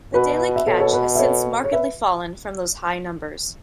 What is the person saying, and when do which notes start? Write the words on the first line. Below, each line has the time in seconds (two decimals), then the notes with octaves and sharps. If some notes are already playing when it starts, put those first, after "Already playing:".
The daily catch has since markedly fallen from those high numbers.
0.14 B2 F#4 B4
0.56 E5
0.67 B2 A4 C#5
0.80 A4 C#5
0.93 F#4 B4
1.15 E5
1.19 A4 C#5
1.64 C#5
1.72 B4 E5